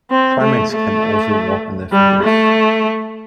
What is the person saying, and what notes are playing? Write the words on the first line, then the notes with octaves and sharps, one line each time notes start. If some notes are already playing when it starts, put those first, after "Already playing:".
Primates can also walk on their fingers.
C4
A3
A3
G3
A3